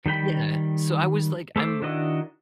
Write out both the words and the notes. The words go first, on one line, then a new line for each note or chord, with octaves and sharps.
Yeah. So, I was, like, I'm
D#3 G3 G5 B5
A3 A4 C5 D6
D#3 D4 E4 F#4 D#5